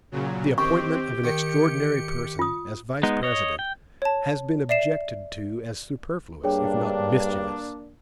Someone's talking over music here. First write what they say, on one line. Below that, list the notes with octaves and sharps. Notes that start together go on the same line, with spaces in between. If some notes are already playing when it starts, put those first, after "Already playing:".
The appointment of an extraordinary person, as Vice-President, has been objected to as superfluous, if not mischievous.
A#2 C#3 F#3
D#3 C4 G4 C#6
D#3 C#7
F4 D#6
G#3 B3 D#4
C#5 D#5
G5
C#5 A5
D5 E5 C7 E7
G2 A#3 D4 G#4 C#5 G5